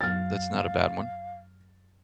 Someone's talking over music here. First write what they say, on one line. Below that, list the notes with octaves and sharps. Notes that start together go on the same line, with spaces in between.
That's not a bad one.
F#2 F#3 F5 F6 A6